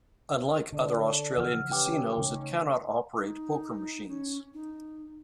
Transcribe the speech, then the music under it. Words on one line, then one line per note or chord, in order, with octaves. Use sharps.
Unlike other Australian casinos, it cannot operate poker machines.
D3 A4 D5
C#3 E3 F3 F#5 E6 F6
C#4 G4 B4 G5 D6
C#3 A3 C#4 D#4
D#4
C#4
D#4